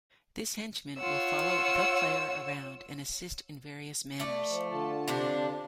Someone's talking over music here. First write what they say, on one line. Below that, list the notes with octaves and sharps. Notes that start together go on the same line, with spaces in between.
This henchman will follow the player around and assist in various manners.
F4 C#5 F#5 E6
A3 D5
F3
D3 F4 A5
C3 D4 C5